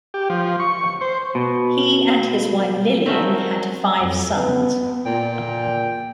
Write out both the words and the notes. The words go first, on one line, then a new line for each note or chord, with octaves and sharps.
He and his wife Lillian had five sons.
G4
F3
C#6
C5
B2
A3 C4 C#4 F#4 A#4 E5
F2
B3
A#2 G5